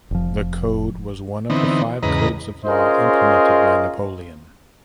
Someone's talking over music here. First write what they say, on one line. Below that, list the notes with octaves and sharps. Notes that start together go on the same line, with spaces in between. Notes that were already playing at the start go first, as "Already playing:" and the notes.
The code was one of the five codes of law implemented by Napoleon.
F1 F3
D3 E3 B3 C4 D#4
E2 G#2 C#3 B4 D#5 A#5
C#4 F4 G#4 A#4 C5 D#5